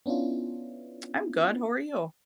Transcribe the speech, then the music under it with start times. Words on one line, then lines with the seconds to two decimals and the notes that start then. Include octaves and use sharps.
I'm good, how are you?
0.06 B3 C#4 D4 E4 F4